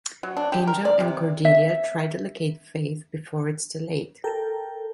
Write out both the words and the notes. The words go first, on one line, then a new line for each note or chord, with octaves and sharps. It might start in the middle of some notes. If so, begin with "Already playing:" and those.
Angel and Cordelia try to locate Faith before it's too late.
F#3
D4
G4
A#4
D5
C3
E5
A4 A#4 G5